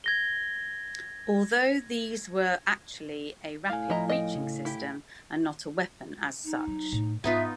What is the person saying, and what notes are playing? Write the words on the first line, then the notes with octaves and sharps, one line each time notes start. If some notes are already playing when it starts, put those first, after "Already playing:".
Although these were actually a rapid breaching system and not a weapon as such.
G#6 A#6 G7
A2 F5 G#5
F3 E4 D#5 A#5
D#5 G5
C#3
E4 G4
D#4
F#3
A2
G#2 B3 D#4 F4 E5